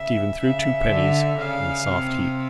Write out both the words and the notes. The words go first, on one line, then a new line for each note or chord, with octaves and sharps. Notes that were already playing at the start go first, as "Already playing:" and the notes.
Stephen threw two pennies on the soft heap.
Already playing: C#3 E5
C#3 E5
D3
C#3 F5
C3